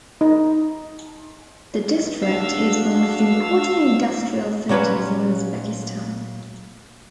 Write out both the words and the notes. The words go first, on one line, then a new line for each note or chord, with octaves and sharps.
The district is one of the important industrial centers in Uzbekistan.
D#4
D4 F#4 F5 E6
A#2 F#3 C#4 B4 B5